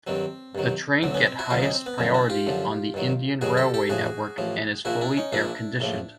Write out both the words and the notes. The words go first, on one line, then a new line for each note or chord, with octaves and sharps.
The train get highest priority on the Indian railway network and is fully air-conditioned.
G2 D#3 F#3 C4
G2 D#3 F#3
D2 D3 F#3 C4
B3 C#4
C4
E4 F#4
D2 D3 F#3 D#4 F4
C#4 D#4
C4
B3
F#2 D3 F3 C4
C4 D4
F4 G4
F#2 D3 F3
G2 D#3 F#3
G2 D#3 F#3 F#4 G#4
G4 A4
G4 A4
A1 A2 F3 F#4 G#4
A1 A2 F3
A#1 A#2 F3 E4 F#4
D4 E4
C#4 D#4
A#1 A#2 F3 D4 E4
A#1 A2 F3